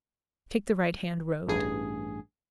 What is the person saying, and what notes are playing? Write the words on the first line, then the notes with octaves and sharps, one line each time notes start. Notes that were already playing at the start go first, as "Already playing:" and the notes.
Take the right-hand road.
A1 G2 G#4